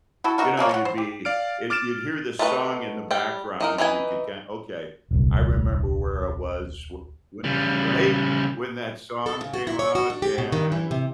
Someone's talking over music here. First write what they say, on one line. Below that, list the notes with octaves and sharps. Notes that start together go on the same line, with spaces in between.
you know, you'd be eh, you'd hear this song in the background, and you could ki "Okay, I remember where I was w wh" Right? When that song came out, and
E4 F#4 A4
B3 D#4 F#4 A#4
F3 G#3 A#3 C#5
C#5 F#5
C5
G4
D5 F5 F6 D7
D6 F6 A6 D7 E7
A3 D#4 F#4 A#4 B4
G3 G5
E3 D#4 A#4
E3 D#4 B4 G#5
D#1 C2
C#3 G3
A4
C#3
F#4
E4
C#5
F#4
D4
G4
B2
D#3
E3
C3